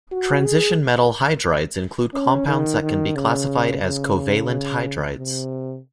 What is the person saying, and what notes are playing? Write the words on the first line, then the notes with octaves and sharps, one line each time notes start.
Transition metal hydrides include compounds that can be classified as "covalent hydrides".
F#4
G#4
C#4
D#3
D#3
C#3
C#3
C3